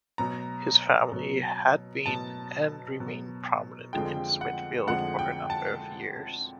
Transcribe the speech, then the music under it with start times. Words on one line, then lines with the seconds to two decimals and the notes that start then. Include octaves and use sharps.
His family had been and remained prominent in Smithfield for a number of years.
0.18 B2 F#3 A#5
1.12 B2 F#3
2.06 B2 F#3 A5
3.00 B2 F#3
3.93 F2 D3 F3 G#3 G5
4.41 F#5
4.87 F2 D3 F3 G#3 F#5
5.19 G5
5.50 A5